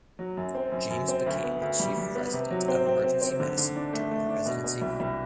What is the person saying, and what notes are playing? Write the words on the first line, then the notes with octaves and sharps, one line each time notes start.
James became the Chief Resident of emergency medicine during her residency.
F#3
F#2
C4
F#2
F#2
C4
D2
B3
D2
G3
G3
B3
C3
F#3
C4
C4
C4
C4
D3
D3
D4
A3
A3
D4
B2
B2
C2
C2